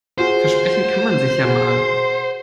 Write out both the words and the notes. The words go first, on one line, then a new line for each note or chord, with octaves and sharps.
Versprechen kann man sich ja mal.
F4 F#4 G#4 C5
F#4 G#4